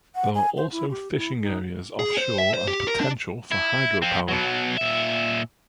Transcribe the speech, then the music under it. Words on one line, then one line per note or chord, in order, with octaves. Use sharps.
There are also fishing areas offshore and potential for hydropower.
F#5
G#5
C5
E4
G4
E4
D#4
G#4
C5
E5
C5
G4
A#4
D4
E4
F3 C4
B2 F#3
A#2 E5